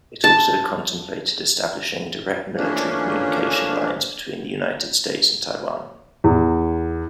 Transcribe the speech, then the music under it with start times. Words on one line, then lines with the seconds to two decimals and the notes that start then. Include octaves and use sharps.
It also contemplated establishing direct military communication lines between the United States and Taiwan.
0.24 A5
2.56 E3 F3 A3 A#3 C#4 D4
6.24 E2